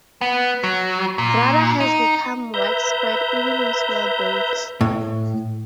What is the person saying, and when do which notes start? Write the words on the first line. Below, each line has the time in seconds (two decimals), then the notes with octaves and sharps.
Radar has become widespread even in small boats.
0.21 B3
0.64 F#3
1.18 A#2
1.80 D#4
2.54 B4 E5 A#5 G6
4.81 A2